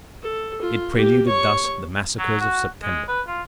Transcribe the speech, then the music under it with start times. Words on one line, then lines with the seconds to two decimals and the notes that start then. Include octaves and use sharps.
It preluded thus the massacres of September.
0.22 A4
0.62 F4
0.93 A#3 G4
1.28 C#5 C#6
2.19 F#3
2.40 F#4
2.82 G#3
3.08 B4
3.27 F4